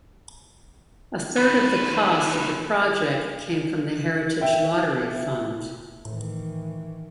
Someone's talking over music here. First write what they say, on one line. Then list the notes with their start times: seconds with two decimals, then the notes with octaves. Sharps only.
A third of the cost of the project came from the Heritage Lottery Fund.
1.37 D#2 B4
4.41 E5 G5
6.05 A2 D#3 E3